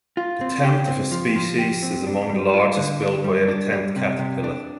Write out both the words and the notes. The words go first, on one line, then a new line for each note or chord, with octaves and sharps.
The tent of this species is among the largest built by any tent caterpillar.
F4
C4
G4
C4
F3
F3
G4
C4
D4
G3
F4
D3
D4
G3
D4
G3
C3
C3
D4